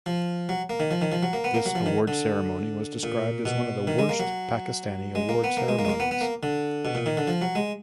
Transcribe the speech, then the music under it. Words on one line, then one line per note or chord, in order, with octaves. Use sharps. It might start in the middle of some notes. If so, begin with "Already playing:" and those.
This award ceremony was described as one of the worst Pakistani award ceremonies.
F3
F#3
A#3
D#3
F3
D#3
F3
F#3
A#3
B3
A#3
F#3
F3
D#3
D3
A#2
B2
D#3
G#3
A#3
F#3
G#3
A#3
B3
A#3
G#3
A#3
G#3
A#3
B3
B3
A#3
D3
B2
A#2
D#3
D3
F3
F#3
G#3